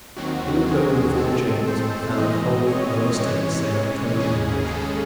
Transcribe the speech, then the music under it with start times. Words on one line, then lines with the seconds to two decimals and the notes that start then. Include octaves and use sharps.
He looked over the fore chains, and found the whole lower studding-sail towing in the water.
0.16 D#2 D#3 F#3 C4 F#4
0.66 G#4
1.17 A2 G#3 C4 A4
1.67 C5
2.18 A2 E3 G#3 C4 D#5
2.68 C#5
3.19 C3 E3 G#3 C#4
4.20 D#2 C#3 G#3 C#4 G#4
4.71 A4